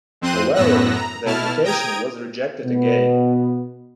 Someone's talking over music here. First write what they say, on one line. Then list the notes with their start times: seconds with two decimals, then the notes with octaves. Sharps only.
However, the application was rejected again.
0.21 F2 C4 C5 C6 F#6 D#7
0.54 F#2 A2 B3 E6 F#6 A#6
0.96 A#5
1.25 B2 E4 A5 F6
1.64 G5 A#5 D#6 G#6 D7
2.65 B2 B3